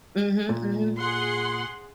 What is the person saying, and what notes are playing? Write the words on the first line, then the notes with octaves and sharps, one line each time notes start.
Mhm, mhm.
A#2
G#4 F#5 C6